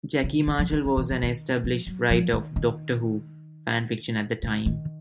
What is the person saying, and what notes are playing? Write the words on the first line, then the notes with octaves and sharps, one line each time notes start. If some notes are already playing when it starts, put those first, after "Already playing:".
Jackie Marshall was an established writer of "Doctor Who" fan fiction at the time.
C#3
D#3
F3
D#3
F3
D#3
F3
D#3
F3
F#3
F3
D#3
D#3
C#3
D#3